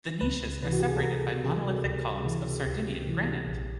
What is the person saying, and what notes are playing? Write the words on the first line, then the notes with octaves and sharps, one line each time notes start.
The niches are separated by monolithic columns of Sardinian granite.
C#2 B4
C3 E3 B4
F#4
G4
G#4
A4
C#2 A#4
C3 E3 G#4
C#2
C3 E3
C#2 G4
C3 E3
A#1